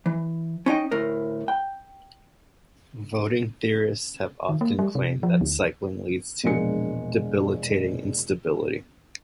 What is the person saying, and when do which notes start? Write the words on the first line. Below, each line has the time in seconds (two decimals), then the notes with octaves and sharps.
Voting theorists have often claimed that cycling leads to debilitating instability.
0.06 E3
0.66 C#4 D#4 D#5 G5
0.91 D2 A2 A#4
1.48 G5
4.49 D#3
4.61 A#3
4.79 G3
4.95 C3
5.23 F3
5.41 D2
6.44 E1 A#1 G#3 A#4 G#5 C#7